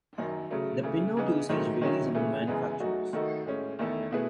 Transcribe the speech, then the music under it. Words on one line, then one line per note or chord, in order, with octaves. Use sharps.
The pinout usage varies among manufacturers.
F#2 D#3 F#3
C#3 F#3 A3
C#3 E3 A3
C#3 E3 B3 D#4
G#2 D#3 F#3 A3
D#3 F#3 C#4 E4
C#3 E3 A3
F#2 C#3 E3 G#3 B3
F#3 A3 D#4 F#4
D#3 A3 D#4 F#4 A4
A2 G#3 C#4
E2 D#3 A3 E4 A4
B2 A3 E4 G#4 B4